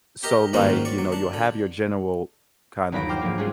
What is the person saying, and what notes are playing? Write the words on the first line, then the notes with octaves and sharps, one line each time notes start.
So, like, you know, you'll have your general kind of
G4 A#4 D#5
G#2 D#3 A#3 C#4 F4 F#4
D5 C#6
F#3
D4
D3
G1 D#2 F#3 B5 A#6 D7
C5 G5 D6 F6 G6
G#2 F3 F#3 A#3
G3 G#3 B3 C#4 F4 G#4